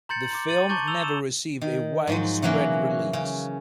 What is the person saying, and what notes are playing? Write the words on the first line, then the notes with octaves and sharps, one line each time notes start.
The film never received a widespread release.
A#5 C6 G6 A6 C#7 F#7
A#5 C6 D6
A6 D#7 F#7
A5 A#5 C#6 D6 G6 A6
E6 F7 G7
E6 E7
D#3
G#2 F3 F#3
C#3 E3 F#3 A#3 C#4
C#3